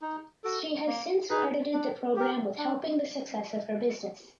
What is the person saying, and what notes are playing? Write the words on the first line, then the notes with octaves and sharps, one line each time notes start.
She has since credited the program with helping the success of her business.
D#4
F#4 A4
A#3
D#4 G#4 B4
D4
G4 A#4
D4